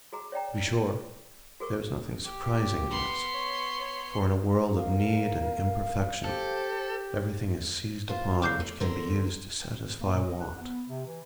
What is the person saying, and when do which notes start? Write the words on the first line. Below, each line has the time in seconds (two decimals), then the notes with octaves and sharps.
To be sure, there is nothing surprising in this, for in a world of need and imperfection everything is seized upon which can be used to satisfy want.
0.13 F#4 G#4 A#5
0.32 C#5 D5 G5 A#5
1.60 F#4 G#4 A#4 C#6
2.25 G4
2.90 B3 C6
3.34 C#5
3.81 C#5
4.76 A#4 F5
6.24 G4 A4 C5
8.09 F4 C5
8.42 C#3 F#3 A#3 D6 G6 C7
8.60 A3
8.80 D3 A#4 C5
10.00 A#3
10.12 A#2
10.24 D#5
10.39 F#5
10.61 B3
10.87 C3
11.05 E3